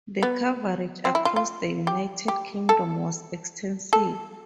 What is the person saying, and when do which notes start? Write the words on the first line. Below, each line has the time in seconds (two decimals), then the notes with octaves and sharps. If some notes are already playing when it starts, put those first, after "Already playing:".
The coverage across the United Kingdom was extensive.
0.23 B3
1.05 C4
1.15 E4
1.25 F4
1.36 F4
1.87 G4
2.28 G4
2.69 A4
3.93 A4